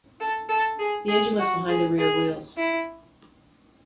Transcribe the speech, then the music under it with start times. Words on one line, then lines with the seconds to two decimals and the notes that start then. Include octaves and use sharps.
The engine was behind the rear wheels.
0.20 A4
0.49 A4
0.79 G#4
1.08 G#4
1.39 F#4
1.69 G#4
1.98 G#4
2.57 E4